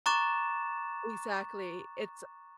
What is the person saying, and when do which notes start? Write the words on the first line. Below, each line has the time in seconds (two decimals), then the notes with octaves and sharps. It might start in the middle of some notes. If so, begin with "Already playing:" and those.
Exactly. It's, uh
0.06 A#5 C#6 D6 F#6 A6 E7